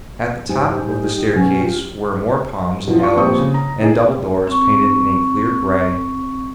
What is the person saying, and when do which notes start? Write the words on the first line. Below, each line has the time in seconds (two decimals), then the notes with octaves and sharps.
At the top of the staircase were more palms and aloes, and double doors painted in a clear grey.
0.49 G#2 G3 D#4 G4 G#5
1.34 B2 F#3 C#4
1.60 F4 G4
2.87 B2 E3 F3
3.00 F4 C#6
3.16 A#1 C4 G4 C#6 D#6
3.38 C#3
3.54 A#5
3.80 E3 D#4 G#4
4.47 C4 C#6